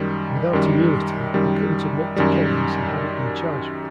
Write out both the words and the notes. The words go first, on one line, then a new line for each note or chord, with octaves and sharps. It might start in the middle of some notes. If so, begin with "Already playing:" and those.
Without immunity, he couldn't admit to killings he hadn't been charged with.
Already playing: F#2 D#3 G3
F#2 D#3 G3
F#2 D#3 G3
F#2 D#3 G3